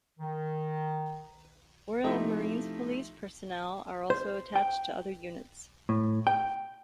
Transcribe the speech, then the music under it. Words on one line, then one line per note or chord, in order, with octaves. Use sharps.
Royal Marines Police personnel are also attached to other units.
D#3
C3 F3 A3 D#4 E4 A4
C5
G5
A2
G5